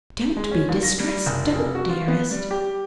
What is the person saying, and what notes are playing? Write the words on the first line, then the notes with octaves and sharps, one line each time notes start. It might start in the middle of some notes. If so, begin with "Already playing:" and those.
"Don't be distressed; don't, dearest!"
G#3
C#4
D#2
A#6
G3
F#1
F1
F#4
F4
B3
G3
G4